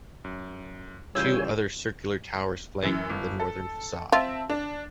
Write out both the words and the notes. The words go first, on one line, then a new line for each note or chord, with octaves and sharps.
Two other circular towers flank the northern façade.
F#2
C#3 E3 G3 F4 C#5 G#5 E6 G6
F#2 E3
G1
A4
C4 F4 E5 A5
D4